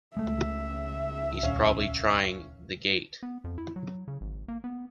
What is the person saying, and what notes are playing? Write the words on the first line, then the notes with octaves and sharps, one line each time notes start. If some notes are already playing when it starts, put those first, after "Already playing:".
He’s probably trying the gate!
C#2 G#3 A3 E5
D#1 C#4 F5
B3
F2
E4
F#3
C#3
G#1
A#3
B3